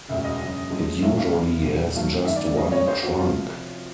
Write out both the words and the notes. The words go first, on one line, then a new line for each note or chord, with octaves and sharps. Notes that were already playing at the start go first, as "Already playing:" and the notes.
It usually has just one trunk.
E1 D2 C#3 E5
D#5
F#1 F#2 D3
F#2 D3 F3 G#3
D#2 D3 F#3 A3 E5
F5
E2 C3 E3
C2 A#2 G3
D#2 D#3 F#3 A3 F5
G#1 G2 D#3 E5
D5
D5
D2 D3 G3 D#5
C#5
G1 G2 D3 C5
F#4
C3 F3 F4